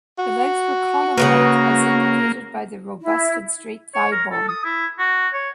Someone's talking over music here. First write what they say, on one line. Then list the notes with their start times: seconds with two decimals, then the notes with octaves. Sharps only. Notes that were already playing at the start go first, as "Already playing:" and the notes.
The legs were column-like, as indicated by the robust and straight thigh bone.
0.18 F#4
1.17 C#3 E3 A#3 B4
3.01 E4
3.95 C#5
4.12 A#4
4.32 A4
4.48 D#6
4.64 E4
4.99 F#4
5.33 C#5